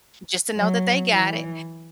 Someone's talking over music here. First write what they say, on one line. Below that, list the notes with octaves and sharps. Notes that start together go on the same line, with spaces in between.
just to know that they got it,
F#3
E3